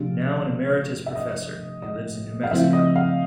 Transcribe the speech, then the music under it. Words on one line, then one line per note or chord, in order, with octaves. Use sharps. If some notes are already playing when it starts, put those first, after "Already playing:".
Now an Emeritus Professor, he lives in New Mexico.
Already playing: C3 F3 A3 D4 G4 F5
E5
D#5
D#5
F5
C#3 F3 A3 C4 E4 E5
D#5
F5